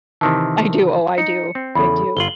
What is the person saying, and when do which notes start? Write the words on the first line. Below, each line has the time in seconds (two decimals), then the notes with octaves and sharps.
I do. Oh, I do, I do.
0.21 C3 D#3 E3 A5
1.18 D#4 C#7
1.55 C4
1.75 E2 C#3 A4 B5
2.17 G1 F4 F#7 G7